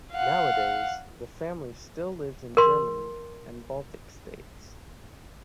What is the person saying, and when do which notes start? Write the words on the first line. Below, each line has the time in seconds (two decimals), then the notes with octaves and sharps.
Nowadays the family still lives in Germany and Baltic States.
0.12 F5 F#5
2.57 A#4 C6